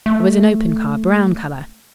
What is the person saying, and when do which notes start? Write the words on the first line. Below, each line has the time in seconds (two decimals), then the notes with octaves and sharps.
It was an open car, brown colour.
0.06 A3